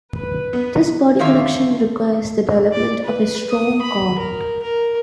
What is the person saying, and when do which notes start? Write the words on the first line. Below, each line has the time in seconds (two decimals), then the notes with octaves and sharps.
This body connection requires the development of a strong core.
0.13 B4
0.53 B3
1.19 D3 D#3 F3 F4 C#5 E5
2.72 D5
3.04 B4
3.50 D#6
3.82 B5
4.19 A#4
4.62 A#4